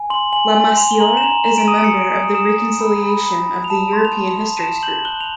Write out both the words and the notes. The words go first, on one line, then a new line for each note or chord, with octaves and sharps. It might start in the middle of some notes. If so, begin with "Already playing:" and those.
Lamassoure is a member of the Reconciliation of European Histories Group.
Already playing: G#5
C6 F#7
G#5 F#7
G#5
C6 F7
G7
A#5 F#7
E7
A#5 F7
A#5 E7
D7
D#6 D#7
D7
C#7
D#6
D7
D#6
D#6 E7
D#6
B5
B5
B5
B5
F7
A5 E7
C6
F7
A5
A5
A5 E7
G6 F#7
F#6 G7
F7